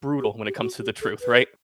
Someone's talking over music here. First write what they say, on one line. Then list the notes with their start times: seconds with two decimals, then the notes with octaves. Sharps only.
brutal when it comes to the truth, right?
0.20 G4
0.47 G4
0.61 F#4
0.81 G4
1.02 A4
1.22 B4